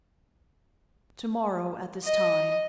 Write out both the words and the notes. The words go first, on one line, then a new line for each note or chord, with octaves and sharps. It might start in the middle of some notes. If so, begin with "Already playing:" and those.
"To-morrow, at this time."
D#5